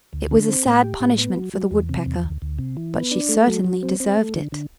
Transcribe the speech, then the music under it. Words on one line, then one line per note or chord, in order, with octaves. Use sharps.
It was a sad punishment for the Woodpecker, but she certainly deserved it.
D2
D3
C4
A2
G4
A2
B3
F#3
F#3
E2
C3
E2
D2
D2
C3
E3
B3
D4
A3
F#3
F#3
C4
C4
A3
D3
D3